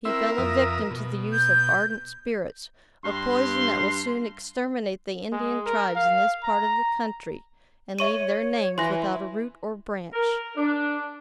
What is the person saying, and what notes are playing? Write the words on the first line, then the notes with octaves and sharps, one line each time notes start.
He fell a victim to the use of ardent spirits--a poison that will soon exterminate the Indian tribes in this part of the country, and leave their names without a root or branch.
C4 E4 A#4 E5
F2 E5 D#6
B2
G6
G2 C6
G#3
A#4
F5
A#5
C#5 E5 C#6 D#7
E3 G#5 C6 F#6 A#6
A#4
D4